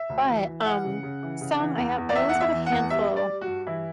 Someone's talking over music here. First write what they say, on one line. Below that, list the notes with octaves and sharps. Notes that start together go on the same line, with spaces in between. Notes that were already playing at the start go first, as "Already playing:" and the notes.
but, um, some I have I always have a handful
Already playing: E5
D2
E3
E3
E5
E3 F#5
C#3
C#3
E3
C#3
E3
E2
E2
D5
E2 E5
F#5
E2
E5
E3
F#5
E2
G3 E5
G3
D5
G3
F#4
G2
E3 E4